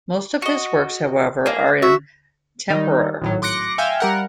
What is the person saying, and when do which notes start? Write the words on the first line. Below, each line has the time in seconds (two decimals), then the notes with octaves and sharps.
Most of his works, however, are in tempera.
0.42 F#4 D#5
1.46 A#3 G#4
1.82 F#4 E5
2.70 D#3 G3 D#4
3.22 G#1 A2 F#3
3.42 C6 D6 F#6 A#6 C#7
3.78 E5 F5 G5 G#5
4.00 G3 A#4 F#5